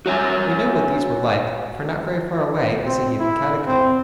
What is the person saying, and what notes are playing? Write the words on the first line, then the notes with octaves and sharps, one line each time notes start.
We know what these were like, for not very far away is a heathen catacomb.
F#4 C#5 E5 G#5
C4
E4
C4